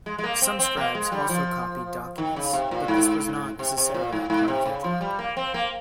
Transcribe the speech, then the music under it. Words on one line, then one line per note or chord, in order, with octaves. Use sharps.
Some scribes also copied documents, but this was not necessarily part of their job.
G#3
G#3
A#3
C4
C4
A#3
G#3
G3
F3
D#3
C#3
C3
A#2
G#2
C3
C3
A#2
G#2
G#2
C3
C#3
F3
G3
A#3
C4
A#3